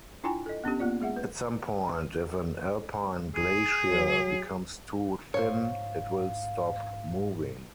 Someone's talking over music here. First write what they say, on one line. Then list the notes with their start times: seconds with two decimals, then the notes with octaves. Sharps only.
At some point, if an Alpine glacier becomes too thin it will stop moving.
0.24 D4 E4 F4 G5 G#5 A#5
0.46 A4 D#5
0.64 B3 C#4 D4 G4
0.79 A#3 B3 F4 D5
1.01 G#3 G#4 E5 F#5
1.16 B4
3.35 G#4
3.87 F#3
5.34 G#2 C5 C#5 F5